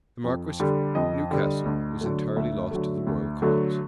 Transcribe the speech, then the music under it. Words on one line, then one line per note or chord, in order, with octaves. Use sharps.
The marquis of Newcastle was entirely lost to the royal cause.
F2
D3 G3
F2 D#5
D3 G3
D2
D3 F#3 A3
D2 E5
D3 F#3 A3
D2
D3 F#3 A3